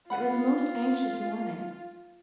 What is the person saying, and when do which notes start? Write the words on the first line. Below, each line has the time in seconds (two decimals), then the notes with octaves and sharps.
It was a most anxious morning.
0.10 F4 B4 F#5 B5